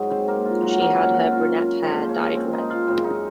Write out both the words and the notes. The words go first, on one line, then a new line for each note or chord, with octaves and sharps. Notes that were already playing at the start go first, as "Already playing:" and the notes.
She had her brunette hair dyed red.
Already playing: G#2 F#3
C4 C5
A#3 A#4
F4
F#3 F#4
A#2 F#3 A#3 C4 A#4
C#4 C#5
F#4 F#5
F4 F5
A#2 F3 G#3
C5
C#4 C#5
C4 C5
D#4 D#5
F4 F5
F#2 C#3 G#3 C4
D#4